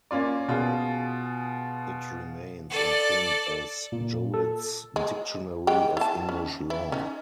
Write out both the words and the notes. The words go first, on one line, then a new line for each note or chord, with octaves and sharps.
It remains in print as "Jowitt's Dictionary of English Law".
A#3 C#4 F4 D5
B2 F4 G#4
A4 D5
A#2
A4
G#3
G#3 G4 G5
E4 A5
C#4
E4
C#4 D#4